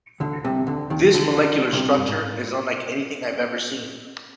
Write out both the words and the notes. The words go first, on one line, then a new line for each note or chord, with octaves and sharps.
This molecular structure is unlike anything I've ever seen.
D2 D3
C2 C3
D2 D3
D#2 D#3
D2 D3
D2 D3
C2 C3
G2
G#2